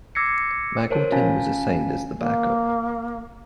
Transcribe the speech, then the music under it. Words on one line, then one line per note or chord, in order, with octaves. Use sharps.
Magilton was assigned as the back-up.
D6 E6 G#6 A#6 C7 C#7
A#4 C5 C#5 A5
C#4 F4 F5 G#5 A5 B6
A#3